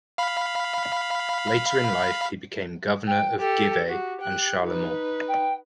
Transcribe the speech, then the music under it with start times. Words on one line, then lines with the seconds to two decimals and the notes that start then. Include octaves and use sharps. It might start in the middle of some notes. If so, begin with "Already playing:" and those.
Later in life he became Governor of Givet and Charlemont.
0.18 F5 B5
3.06 G5
3.40 G4 A4 A5
3.89 F#4 G4
4.21 G5 F#6
4.63 D#4 B4
5.28 G5